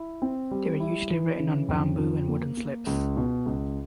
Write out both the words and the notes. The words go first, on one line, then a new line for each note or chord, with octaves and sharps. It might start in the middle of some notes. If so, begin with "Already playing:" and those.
They were usually written on bamboo and wooden slips.
Already playing: E4
C4
G3
E4
E3
C#3
F2
F3
A#3
A#3
C#2
B2
C#2